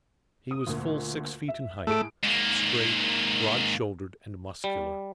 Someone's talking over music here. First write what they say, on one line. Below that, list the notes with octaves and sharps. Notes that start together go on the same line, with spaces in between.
He was full six feet in height, straight, broad-shouldered, and muscular.
D#6
D2 A#2
E5
A2 A3 G#4 D7
G#2 A#3
G3